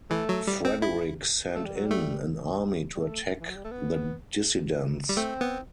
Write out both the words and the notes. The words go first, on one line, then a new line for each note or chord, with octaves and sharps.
Frederick sent in an army to attack the dissidents.
E3 A3
F#3
G3
C4
E4
A3
G3
F#3
G3 A3
G3
A3
E3
F#3
G3
A3
B3
G3
A3 C4
B3